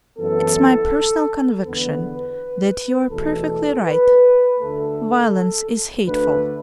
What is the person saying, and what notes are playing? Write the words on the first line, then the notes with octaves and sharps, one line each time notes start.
It's my personal conviction that you are perfectly right--violence is hateful.
F#2 E3 B3 A4
E2 D3 B3 B4
E2 B2 A3 A4
B4
D2 D3 A3 A4
D2 D3 A3 B4